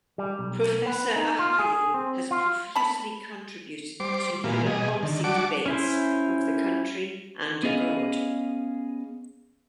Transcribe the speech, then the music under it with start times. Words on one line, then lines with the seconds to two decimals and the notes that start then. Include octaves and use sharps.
Professor Ahuja has profusely contributed to legal policy debates of the country and abroad.
0.18 G3
0.39 B1
0.86 B3
1.16 D#4
1.39 F4
1.59 G#4
1.94 C4
2.31 F4
2.75 A5 B5
4.00 G3 C5 D6
4.44 A#2 E3 G#3 A#3 B3 F4
4.66 B2 G3 G#4 D#5
5.03 D3 D#3
5.24 F#3 G3 F#4 D5 A5 D6
5.66 C#4 E4 C5
7.63 B3 C#4 G#4 D#5 F5